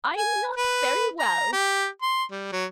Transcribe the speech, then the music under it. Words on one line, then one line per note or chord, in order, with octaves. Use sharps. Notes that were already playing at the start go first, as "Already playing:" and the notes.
"I'm not very well."
G#5
B4
A#5
G4
C6
G3
F#3